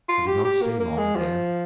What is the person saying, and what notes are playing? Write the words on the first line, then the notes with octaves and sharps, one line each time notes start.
I did not stay long there.
F4
G4
G4
A#3
A#3
G#3
F3